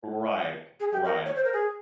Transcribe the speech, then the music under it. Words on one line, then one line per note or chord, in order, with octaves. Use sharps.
Right, right.
G#4
G4
A#4
C#5
C5
A#4
G#4